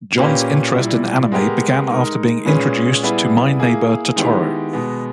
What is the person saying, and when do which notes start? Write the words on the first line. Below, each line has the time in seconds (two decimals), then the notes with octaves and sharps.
John's interest in anime began after being introduced to My Neighbor Totoro.
0.18 A#2 A#3 C#4 G4 B4
0.75 A#2 G3 A#3 E4
1.32 G#3 B3 G4 A#4
1.88 G#3 D#4 A#4
2.45 A#2 G#3 C#4 G#4 B4
3.02 G3 B3 E4 G#4 B4
3.59 A#3 E4 G#4
4.16 D#3 G#3 B3 E4 G4
4.73 B2 G#3 B3